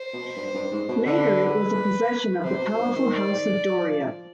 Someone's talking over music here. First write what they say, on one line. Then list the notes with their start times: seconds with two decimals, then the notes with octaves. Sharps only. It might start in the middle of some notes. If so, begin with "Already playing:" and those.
Later it was a possession of the powerful House of Doria.
Already playing: C5
0.13 B2
0.37 G2
0.54 G2
0.71 G#2
0.88 B2
1.06 D3 B4
2.44 C3 C5
2.62 B2
2.79 G2
2.96 D#3
3.13 D5
3.83 F3